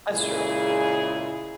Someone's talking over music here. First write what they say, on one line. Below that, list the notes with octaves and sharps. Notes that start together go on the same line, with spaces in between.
that's true.
A#2 C#3 G#3 E4 G#4